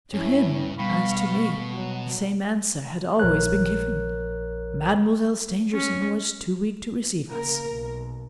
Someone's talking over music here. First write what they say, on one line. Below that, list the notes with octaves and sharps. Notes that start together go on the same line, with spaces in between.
To him, as to me, the same answer had always been given: Mademoiselle Stangerson was too weak to receive us.
G2 C#4 E4
B2 G3 F5 B5 C#6
F#3
A#1 A#4 C#5 F#6
C#4
C#3 A#3 A#4
B1